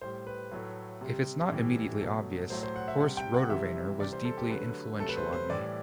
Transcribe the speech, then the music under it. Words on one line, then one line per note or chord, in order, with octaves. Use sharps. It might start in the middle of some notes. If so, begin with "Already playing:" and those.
If it's not immediately obvious: "Horse Rotorvator" was deeply influential on me.
A2 G3 C5
B4
A2 F#3 A3
C3 G3
A2 E3 G3
B2 F#3 A3
A2 F#3 A3 C5
C5
F#5
E5
C3 G3 F#5
G5
F#5
C3 E3 G3 E5
C3 E3 G3 D5
C5
A4
G4
D3 F#3 A3 B4
C3 F#3 A3 A4
B4
C5
C5
A2 E3 G3 D5